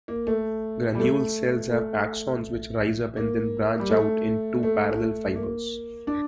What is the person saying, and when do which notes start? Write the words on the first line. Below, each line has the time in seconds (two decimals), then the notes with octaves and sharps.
Granule cells have axons which rise up and then branch out into parallel fibers.
0.08 A#3
0.27 A3
0.95 G3
0.99 A3
1.71 A3
3.17 A#3
3.80 G3
3.90 A3
4.63 A3
5.35 A#3
6.07 D4